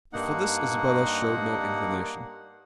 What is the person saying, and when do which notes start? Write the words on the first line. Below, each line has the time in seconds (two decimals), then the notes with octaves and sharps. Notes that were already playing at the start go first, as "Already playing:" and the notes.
But for this Isabella showed no inclination.
0.13 G2 A#3 D#4 F#5